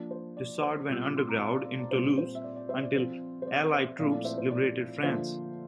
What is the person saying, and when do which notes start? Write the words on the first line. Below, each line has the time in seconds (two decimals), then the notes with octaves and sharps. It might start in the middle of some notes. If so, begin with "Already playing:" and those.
Dissard went underground in Toulouse until Allied troops liberated France.
Already playing: F3 A#3 D4
0.11 C5
0.37 D5
0.62 C5
0.88 A#2 G3 C4 F4 E6
1.05 D6
1.17 C6
1.28 A#5
1.39 F5 A5
1.53 D5 F5
1.65 D5
1.79 D5
1.91 A#2 G3 C4 C5
2.18 C5
2.35 E5
2.44 D5
2.56 D5
2.69 C5 E5
2.83 D5
2.95 F3 C4 F4 C5
3.42 C5
3.47 D5
3.73 C5 E5
3.99 A#2 F3 A3 C4 E4 D5 F5
4.12 D5
4.24 C5 E5
4.38 C5
4.51 D5
5.03 D3 F3 A#3 D4 F4 C5 E5